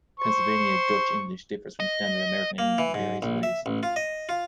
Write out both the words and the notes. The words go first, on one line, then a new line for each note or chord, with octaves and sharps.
Pennsylvania Dutch English differs from standard American English in various ways.
C5 C#6
D#5
A#3
E3
G#2
A#1
E5
A1
F4
D#5
F4